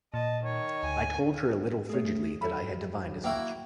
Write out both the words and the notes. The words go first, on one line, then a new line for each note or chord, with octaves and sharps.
I told her a little frigidly that I had divined as much.
A#2 D#5 A5
D#3 C#5
D2 G#5
A3 G#4 C#5
F#3 A4 E5 B5
A#3 E4 F#4 G5